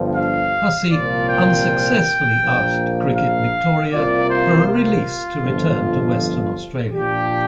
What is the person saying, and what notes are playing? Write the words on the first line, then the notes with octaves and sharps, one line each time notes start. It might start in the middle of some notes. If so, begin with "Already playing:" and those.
Hussey unsuccessfully asked Cricket Victoria for a release to return to Western Australia.
Already playing: G1 G2 F3
F5
C2 A#2 F3 A#3 F4 D5
G5
A#1 A#2 F3 A#3
F5
C2 C3 A#3 F4 D5
C5
F4
G1 F2 F3
A#2 F3 D4 G4